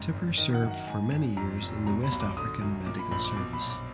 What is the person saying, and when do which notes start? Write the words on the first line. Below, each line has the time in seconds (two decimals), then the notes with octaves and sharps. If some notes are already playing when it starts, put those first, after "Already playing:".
Tipper served for many years in the West African Medical Service.
Already playing: F#1 G#2
0.13 G#1
0.37 D#3 D#5
0.54 F#5
0.63 F#2
0.71 F#5
0.87 G#2 G#5
1.12 G#1
1.37 F2 A#5
1.62 F1
1.87 B2 A#5
2.03 B5
2.12 B1
2.20 D6
2.37 D3 D#6
2.61 F#2
2.86 A#2 D6
2.99 B5
3.11 A#1 B5
3.24 D6
3.36 B2 D6
3.53 B5
3.61 B1
3.70 D6